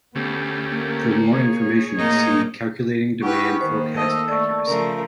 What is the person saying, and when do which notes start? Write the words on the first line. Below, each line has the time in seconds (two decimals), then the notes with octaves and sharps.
For more information see Calculating demand forecast accuracy.
0.15 D2 A3 B3 C#4 G4
0.76 A#3
1.34 G#4 C#5
1.98 A2 A#3 D#4 D#5
3.23 B3 C#4 E4 G4 B4 F#5 C#6
3.61 D#3 A#3 C5
3.96 A3 A4 D#5
4.28 A3 D5 C#6
4.65 C#3 F3 A3 A#4